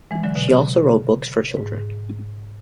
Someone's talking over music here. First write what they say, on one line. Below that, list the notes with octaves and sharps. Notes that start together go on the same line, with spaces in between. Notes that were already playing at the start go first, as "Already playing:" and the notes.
She also wrote books for children.
E3 G#3
D3 F#3
B2 D3
C#3
G#2